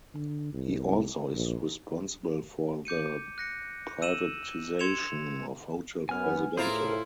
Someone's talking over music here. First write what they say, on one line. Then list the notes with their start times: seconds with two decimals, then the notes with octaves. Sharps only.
He also is responsible for the privatization of Hotel Presidente.
0.14 D3
0.53 C2
1.34 A#1
2.85 D6 G6 C#7 D#7
3.38 F#6 A#6 C#7
4.02 E6 D#7 E7 F#7
4.79 C6 G#6 C#7 E7 F7
6.09 F#2 B3 G#5 F6
6.57 A2 E4 F4 G#4 A#4 C5 A#5